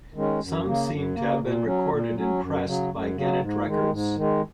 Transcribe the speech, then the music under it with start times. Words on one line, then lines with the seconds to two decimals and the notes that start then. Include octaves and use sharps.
Some seem to have been recorded and pressed by Gennett Records.
0.14 D#3 G#3 C#4
0.40 F#2
0.64 C#3 A#3
0.90 F#2
1.15 C#3 A#3
1.40 A#2
1.65 F#3 C#4
1.90 A#2
2.15 F#3 C#4
2.40 F#2
2.65 C#3 F#3
2.91 F#2
3.15 C#3 F#3
3.40 G#2
3.66 D#3 G#3
3.91 G#2
4.16 D#3 G#3